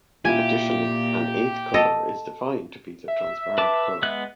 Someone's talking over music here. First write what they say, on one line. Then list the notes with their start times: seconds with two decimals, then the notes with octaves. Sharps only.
Additionally, an eighth color is defined to be the transparent color.
0.25 A#2 E4 F4 G4 G#5
1.74 A4 D#5
3.08 E5
3.58 B4 A5 D6
4.03 G#3 B3 F#6